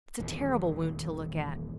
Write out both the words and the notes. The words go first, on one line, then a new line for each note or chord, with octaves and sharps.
"It's a terrible wound to look at."
D#1 G#1 E2 A#2